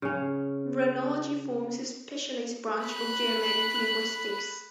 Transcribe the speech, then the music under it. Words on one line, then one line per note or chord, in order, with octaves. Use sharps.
Runology forms a specialized branch of Germanic linguistics.
C#3 C#4
B5 F#6